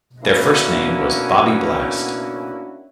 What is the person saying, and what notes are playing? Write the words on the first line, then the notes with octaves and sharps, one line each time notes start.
Their first name was "Bobby Blast".
A#3 B3 C#4 D4 E4 F#4